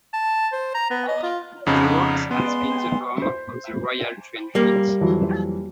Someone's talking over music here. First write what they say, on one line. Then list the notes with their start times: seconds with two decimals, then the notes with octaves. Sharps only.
The Works has been the home of the Royal Train fleet.
0.14 A5
0.52 C5
0.74 A#5
0.91 B3
1.08 D#5
1.23 F4
1.66 F2 C#3 B3 D#4 B4
2.31 G#3 B3 C6
3.22 C5
4.55 G3 A#3
5.01 F2 E3 F#3